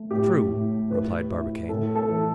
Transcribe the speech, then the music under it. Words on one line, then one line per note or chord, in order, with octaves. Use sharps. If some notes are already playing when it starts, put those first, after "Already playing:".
"True," replied Barbicane.
Already playing: A3
A2 G4
A2
E4 B4
E4
A2 A4
A4
E3